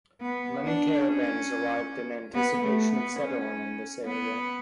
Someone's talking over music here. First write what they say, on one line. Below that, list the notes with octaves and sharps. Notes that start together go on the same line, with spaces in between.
Many caravans arrived in anticipation of settling in this area.
B3
D4
C#4
B3
A3
B3
C#4
B3